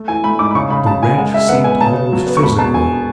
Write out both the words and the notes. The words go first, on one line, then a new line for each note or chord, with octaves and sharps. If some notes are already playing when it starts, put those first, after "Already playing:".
The wrench seemed almost physical.
Already playing: A3
E3 G#5
A3 B5
G#2 D6
B5
C#3 C#6
C#3 B5
C#3 A5
F#1 G#5
G#3 F#5
G#3 E5
B3 F#5
B3 G#5
C#3 A5
B3
F#3
B3
C#6
E1 B5
B2 A5
E1 G#5